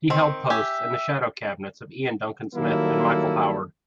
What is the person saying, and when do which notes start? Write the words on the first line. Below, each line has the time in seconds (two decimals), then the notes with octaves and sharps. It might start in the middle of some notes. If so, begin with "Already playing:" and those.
He held posts in the shadow cabinets of Iain Duncan Smith and Michael Howard.
0.10 D#3 C4
0.50 G4 E5 G#5
2.56 D#3 F#3 G3 A#3 E4 A4